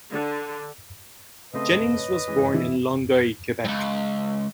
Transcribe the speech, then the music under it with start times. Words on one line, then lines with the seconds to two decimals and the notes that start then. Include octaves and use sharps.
Jennings was born in Longueuil, Quebec.
0.11 D3
1.53 C#3 A3 C4 B4 D#5
1.97 C#5
2.28 E3 G#3 C#4
2.54 E3 E4
3.64 C#2 G2